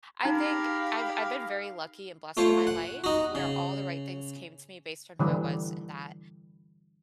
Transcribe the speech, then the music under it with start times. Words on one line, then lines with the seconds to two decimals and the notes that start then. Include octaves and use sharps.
I think I've I've been very lucky and blessed in my life where all the right things came to me based on who I was in that
0.23 D#4 G4 G#4 A#4 F5 A#5 B5
2.37 A3 F4 C5 C#5
2.67 F#5
3.04 D#4 F#4
3.35 C#3
5.19 D3 E3 G3